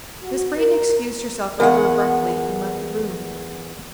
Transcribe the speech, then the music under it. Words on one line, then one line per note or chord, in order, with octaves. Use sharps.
Miss Brayton excused herself rather abruptly and left the room.
F#4
A#4
E2 A#4 F5 F#5